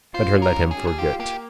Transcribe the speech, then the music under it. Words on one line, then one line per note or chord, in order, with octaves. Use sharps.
Better let him forget.
F4 C5
C#4
A#4
D#3
G#4
G3
G#4
F4 G4
A#3 G4